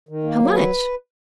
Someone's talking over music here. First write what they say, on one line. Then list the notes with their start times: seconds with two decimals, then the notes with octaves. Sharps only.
"How much?"
0.09 D#3
0.23 A#3
0.39 F#3
0.53 D#3 B4